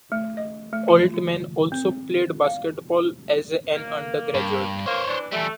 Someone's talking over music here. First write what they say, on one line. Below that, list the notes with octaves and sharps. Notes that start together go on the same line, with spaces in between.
Altmann also played basketball as an undergraduate.
A3
D#5
A3
F4
F4
C4
F5
A#3
G2
E3 A#3 C5 C#5
E3 D4
E3 G3 A3